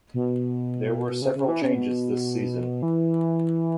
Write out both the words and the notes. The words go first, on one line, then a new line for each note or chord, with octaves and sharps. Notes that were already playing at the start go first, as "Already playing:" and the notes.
There were several changes this season.
B2
C#3
C#3
E3
C#3
B2
E3